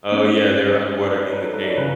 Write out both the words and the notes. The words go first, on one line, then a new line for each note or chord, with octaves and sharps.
Oh, yeah. They were underwater in the cave.
G#2 C#4
G#4
B4
D5
C#5
B4
A4
B4
D5
C#5
C#3 B4